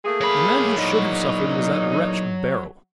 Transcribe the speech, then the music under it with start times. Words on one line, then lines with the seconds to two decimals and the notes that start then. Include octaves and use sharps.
"The man who should have suffered was that wretch Beryl."
0.05 A3 A#3 G#4
0.21 F#3 B5
0.77 E2 A#2 D#4